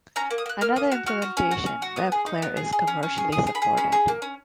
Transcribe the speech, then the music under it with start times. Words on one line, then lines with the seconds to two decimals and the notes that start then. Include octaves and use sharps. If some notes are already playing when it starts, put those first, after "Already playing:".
Another implementation, WebClaire, is commercially supported.
0.16 C#4 A#5
0.31 A#3
0.38 D#6
0.46 A#3 F#6
0.61 A#3 F6
0.76 A#3 D#6
0.92 F#4 F6
1.06 F#4 F6
1.22 F#4
1.37 C#4
1.51 F#4
1.66 C#4
1.82 F#4
1.96 B3 D#6
2.12 G#4
2.26 D#4
2.42 B3
2.57 G#4
2.73 G#4
2.87 C#4
3.03 C#4
3.18 G#4
3.32 G#4 D#6
3.47 G#4
3.55 B5
3.62 G#4
3.77 C#4 B5
3.92 G#4
4.08 A#3
4.22 C#4